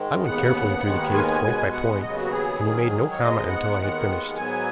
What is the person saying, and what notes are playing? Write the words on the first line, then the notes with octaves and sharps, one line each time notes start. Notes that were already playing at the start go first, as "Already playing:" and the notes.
I went carefully through the case point by point, and he made no comment until I had finished.
Already playing: G#2 D#3 G#3
D#2 C#3 B3 F#5
D#2 D#3 G#3 B3
G#5
G#5
B2 G#3 B3
F#5
D#2 C#3 F#3 B3 D#5
F#4
G#4
G#2 D#3 F#3
C#5
G#2 G#3 B3 D#5
F#5
D#2 D#3 G#3 B3
G#2 F#3 B3 G#5